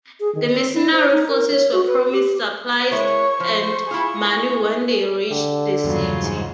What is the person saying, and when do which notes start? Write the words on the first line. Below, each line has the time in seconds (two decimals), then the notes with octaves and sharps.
The mercenary forces were promised supplies and money when they reached the city.
0.20 G#4
0.35 D#3
0.53 C4
0.74 E4
0.92 C5
1.12 D#4
1.28 A#4
1.51 C#5
1.72 F#4
1.87 B4
2.12 G4
2.91 G#3 E4 A#4 C#5 C#6
3.40 F3 C5
3.91 E4 F4 G#4
5.31 D3 G4
5.84 E2 G2 C#3 F#3 F4
6.21 G#2